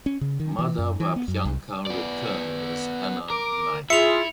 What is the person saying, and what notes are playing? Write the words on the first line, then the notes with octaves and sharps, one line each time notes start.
Madhav Abhyankar returned as Anna Naik.
C#4
C#3
D#3
E3
F#2
E3
B3
F#2
C2
B3 D5
A#4 D6
E4 F4 G#4 E5 C#7 F7